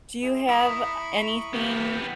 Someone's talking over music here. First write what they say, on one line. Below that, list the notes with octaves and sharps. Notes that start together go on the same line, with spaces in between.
Do you have, uh, anything,
E4 G#4
E4 A#5 B5 C#6 D#6
B3 G4